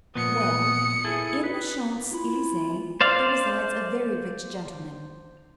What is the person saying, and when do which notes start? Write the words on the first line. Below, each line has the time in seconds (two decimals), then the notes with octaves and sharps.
"Well, in the Champs Elysees there resides a very rich gentleman."
0.15 A#2 F3 B3 D#6 C#7
1.04 E4 G#4 A4
1.44 B4
2.12 E4 F4 B5
3.01 C5 D5 F5